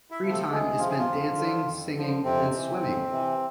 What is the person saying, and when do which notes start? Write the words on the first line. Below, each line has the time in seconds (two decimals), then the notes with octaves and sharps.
Free time is spent dancing, singing and swimming.
0.10 E4 E5
0.21 C3 F3
0.31 A3 A4
0.49 D2 G#3 G#4
0.78 C3 F3 F4
0.88 G#4
0.98 F3 F4
1.07 F2
1.37 D3 F3
1.65 F2
1.95 D3 F3
2.24 F2 C3 C4
2.52 C3 E3
2.82 F2
3.11 C3 E3